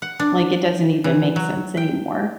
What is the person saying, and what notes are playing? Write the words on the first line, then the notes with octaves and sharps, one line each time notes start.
Like, it doesn't even make sense anymore."
F#5
D4
E3
F#3
G5